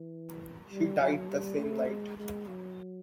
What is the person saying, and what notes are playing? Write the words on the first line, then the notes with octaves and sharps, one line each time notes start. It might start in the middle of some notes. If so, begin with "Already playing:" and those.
He died the same night.
Already playing: E3
G3
F#3
G3
A3
G#3
G#3
F#3